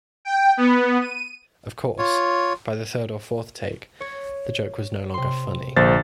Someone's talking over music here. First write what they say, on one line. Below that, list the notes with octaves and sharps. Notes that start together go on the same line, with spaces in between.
Of course, by the third or fourth take, the joke was no longer funny.
G5
B3
D#7
F4 C#5
C#5
C3 C6
A#1 D3 A#3 C5 A6